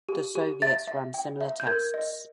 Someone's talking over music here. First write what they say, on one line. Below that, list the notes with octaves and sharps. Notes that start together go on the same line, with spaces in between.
The Soviets ran similar tests.
G4
G4
E5 A6
E5
G5
E5
G6
A#4 G#6
D#5